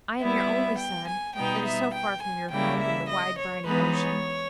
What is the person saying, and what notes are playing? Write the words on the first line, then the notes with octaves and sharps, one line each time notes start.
I am your only son, that is so far from your home, in the wide briny ocean.
G3 B3 E4 E5
G5
G#5
B2 G3 B3 D#4 G5
E5
G5
G#5
C#3 G3 A#3 E4 G5
E5
D#5
C#5
E3 G#3 B3 D#4 B4
C#5